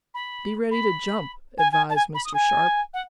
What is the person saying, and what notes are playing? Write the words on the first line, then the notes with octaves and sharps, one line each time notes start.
"Be ready to jump," advised Mr. Sharp.
B5
B5
G#5
G#5
A5
G#5
B5
D#6
G#5
F#5